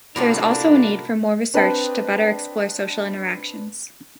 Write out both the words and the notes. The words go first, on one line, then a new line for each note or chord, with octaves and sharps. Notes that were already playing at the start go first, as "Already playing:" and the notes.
There is also a need for more research to better explore social interactions.
A2 C3 C4 D4 F4 F#4 A4 A#4
C4 D4 B4 D#5 G5 A5